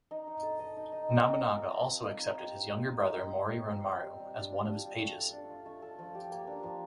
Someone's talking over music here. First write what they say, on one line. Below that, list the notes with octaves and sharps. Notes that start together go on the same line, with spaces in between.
Nobunaga also accepted his younger brother Mori Ranmaru as one of his pages.
D#4
D#4
A4
D#5
D#4
D#4
C4
C4
F4
A4
C4
C4
D#4
D#4
G4
C5
D#4
D#4
C4
C4
F4
C5
C4
C4
G3
G3
D4
F4
G3
G3
A3
A4
D4
F4
A3
A4
F3
G4
A#3
D4
F3